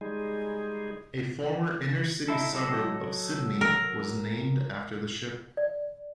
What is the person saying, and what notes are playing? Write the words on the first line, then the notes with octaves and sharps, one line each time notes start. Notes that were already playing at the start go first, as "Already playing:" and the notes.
A former inner-city suburb of Sydney was named after the ship.
G3 G#3 D#4 G#4
D#4 E4 A4
F#3 A4 D#5
A#4
D5